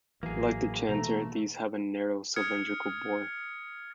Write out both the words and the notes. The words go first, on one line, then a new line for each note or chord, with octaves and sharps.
Like the chanter, these have a narrow cylindrical bore.
A1 E3 F#3 A#3 G#4
B2 E3 A3 A#3 A#5
D#6 F6 G#6 C#7